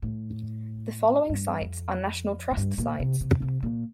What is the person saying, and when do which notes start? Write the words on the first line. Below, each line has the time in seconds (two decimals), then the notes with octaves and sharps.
The following sites are National Trust sites.
0.02 A2
1.29 G2
1.61 F2
2.51 A2
2.57 G2
2.78 A#2
3.00 C3
3.20 C3
3.42 C3
3.63 A#2